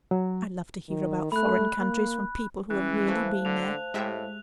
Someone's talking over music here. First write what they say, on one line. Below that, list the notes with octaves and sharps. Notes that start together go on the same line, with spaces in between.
I love to hear about foreign countries from people who have really been there.
F#3
D#3
A3 B5 F#6
A#3
E3 G3 C#4 F#6
A3 E4 C5 F5 A5
D3 F7
A2 G#3 G4 E5